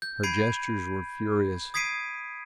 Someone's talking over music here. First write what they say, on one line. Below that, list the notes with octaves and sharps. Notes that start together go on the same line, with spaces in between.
Her gestures were furious.
G6
B5 G#6 C7 D7 D#7
D#6 G#6 B6 C7 D7 D#7